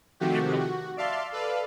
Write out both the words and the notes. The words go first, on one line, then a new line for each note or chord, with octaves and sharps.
it real
C3 D#3 F3 A3 F#4 G4
F#4
D5 E5 F5 A5 C6
A4 B4 D5 F5